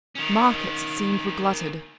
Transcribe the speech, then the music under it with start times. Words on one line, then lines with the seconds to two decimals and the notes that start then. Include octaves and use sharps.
Markets, it seemed, were glutted.
0.15 D#3 C#4